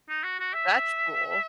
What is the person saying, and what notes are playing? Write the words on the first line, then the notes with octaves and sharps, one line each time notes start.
That's cool.
D#4
F#4
F#4
E5